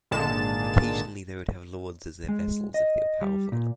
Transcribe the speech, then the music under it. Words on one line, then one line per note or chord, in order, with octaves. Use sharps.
Occasionally they would have lords as their vassals if they were powerful enough.
G#1 A#2 D3 G#3 A5 E7
G#3
D#5
G3
A#2